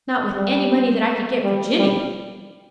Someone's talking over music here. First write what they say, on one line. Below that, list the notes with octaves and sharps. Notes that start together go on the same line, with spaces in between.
"Not with any money that I could get for Jinny."
G3
G3
G3